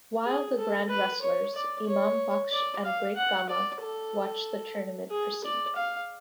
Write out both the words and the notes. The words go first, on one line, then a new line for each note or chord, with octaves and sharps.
While the Grand Wrestlers, Imam Baksh and Great Gama watched the tournament proceed.
G#4
A4
B4
C#5
D5
C#5
D5
F5
F#5
D5
A4
G#4
D5
F5